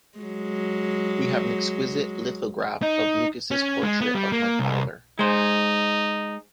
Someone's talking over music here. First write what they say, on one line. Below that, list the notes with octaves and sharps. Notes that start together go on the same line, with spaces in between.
We have an exquisite lithograph of Lucas's portrait of my father.
F#3 G#3
D#4
C#4
G#3
B3
G3
A#3
C2
G#3 D#4 C5